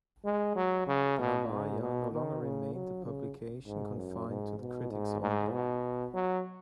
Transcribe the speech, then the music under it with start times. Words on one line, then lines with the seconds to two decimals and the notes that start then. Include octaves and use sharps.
The Ravaya no longer remained a publication confined to the critics only.
0.25 G#3
0.55 F#3
0.87 C#3
1.18 B2
1.49 G#2
1.80 B2
2.11 D#3
2.42 C#3
2.73 F#3
3.04 C#3
3.66 G#2
3.96 F#2
4.28 G#2
4.60 B2
4.90 G#2
5.21 G#2
5.52 B2
6.14 F#3